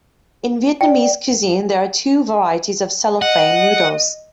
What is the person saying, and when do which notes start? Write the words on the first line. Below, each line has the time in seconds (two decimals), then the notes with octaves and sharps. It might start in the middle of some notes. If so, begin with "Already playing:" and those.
In Vietnamese cuisine, there are two varieties of cellophane noodles.
0.81 D5 G5
3.22 D#5 F#5